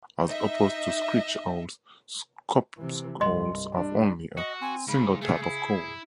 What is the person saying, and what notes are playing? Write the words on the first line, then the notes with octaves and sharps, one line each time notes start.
As opposed to screech owls, scops owls have only a single type of call.
D#4 D#5 E5
C3 E3
C2 G2 D#5 C6
G3 D4
F#4 D#5
C4 G#5
G#2 C#3 B5
A3 G#4
E4